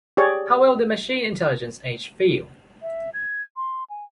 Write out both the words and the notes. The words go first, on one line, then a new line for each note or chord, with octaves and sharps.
How will the machine intelligence age feel?
G4 G#4 C#5 D5
E5
G#6
C6
G#5